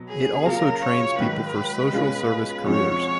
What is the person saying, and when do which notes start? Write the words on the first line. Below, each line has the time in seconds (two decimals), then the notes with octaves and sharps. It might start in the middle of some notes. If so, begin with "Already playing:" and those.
It also trains people for social service careers.
Already playing: B2 F#3
0.09 G#4
0.45 C#3 F#3 A#3 F4 A#4
0.82 C#5
1.19 G#2 D#3 F#3 B4
1.92 B2 G#3 C#4 F4
2.65 F2 F3 G#3 C#4 F#4 C#5